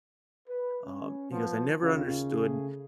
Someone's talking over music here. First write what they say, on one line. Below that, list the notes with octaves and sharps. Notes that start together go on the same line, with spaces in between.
um, he goes, "I never understood
B4
C#4
F3 B3
D#2 C#3 F4
A3 G#4